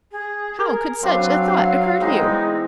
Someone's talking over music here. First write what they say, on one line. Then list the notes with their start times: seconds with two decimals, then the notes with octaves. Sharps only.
How could such a thought occur to you?
0.12 G#4
0.59 A#4
1.03 F#3 C4 D4 B4 F5
2.00 E3 G#3 B3 C4 D#4